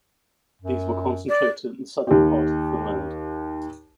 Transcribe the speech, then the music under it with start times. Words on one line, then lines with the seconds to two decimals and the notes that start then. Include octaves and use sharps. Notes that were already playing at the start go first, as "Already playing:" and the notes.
These were concentrated in the southern part of Finland.
0.62 F#2
1.29 D5
2.07 D#2 G4